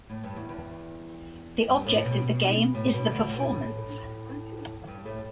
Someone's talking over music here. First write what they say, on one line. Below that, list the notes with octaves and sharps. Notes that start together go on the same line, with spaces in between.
The object of the game is the performance.
A2
G2
E2
E2
G2
A2
B2
A2
B2
D2 D3
A2
B2
A2
G2
A2 A3